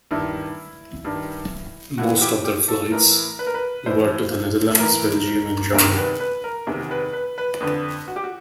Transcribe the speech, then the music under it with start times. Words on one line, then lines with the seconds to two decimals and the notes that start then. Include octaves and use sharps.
Most of their flights were to the Netherlands, Belgium and Germany.
0.11 G2 D#3 E4
1.05 G2 D#3
1.98 A2 E3 F#4
2.17 F#4
2.21 G4
2.45 G4
2.68 A4
2.92 A2 E3 A#4
3.39 B4
3.47 A#4
3.54 B4
3.86 A2 E3 C5
4.79 A2 E3 A#4
5.73 E2 C3 D#3 A#4
5.97 B4
6.20 B4
6.44 A#4
6.67 E2 C3 D#3
6.91 B4
7.13 B4
7.38 B4
7.60 F2 D3 B4
8.08 F#4
8.16 G4
8.24 F#4